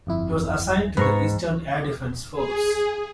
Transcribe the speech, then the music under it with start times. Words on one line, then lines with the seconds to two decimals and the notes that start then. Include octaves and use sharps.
It was assigned to the Eastern Air Defense Force.
0.07 G1 F2 E4
0.97 G#2 B4 A#5 C#6
2.33 G#4